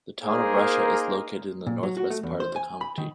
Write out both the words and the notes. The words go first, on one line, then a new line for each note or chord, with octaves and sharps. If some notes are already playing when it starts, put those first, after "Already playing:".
The Town of Russia is located in the northwest part of the county.
A#3 D#4 G#4 A#4 C5
A#2
F#3
F#4
A3
E2
C5
G#5
B5
D#3